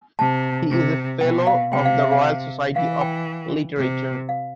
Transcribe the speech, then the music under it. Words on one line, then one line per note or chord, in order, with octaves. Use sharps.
He is a Fellow of the Royal Society of Literature.
C3 A5
C3
B2 G5
F5
C3 G5
F5
E5
F5
E3 F5
G5
C3
F5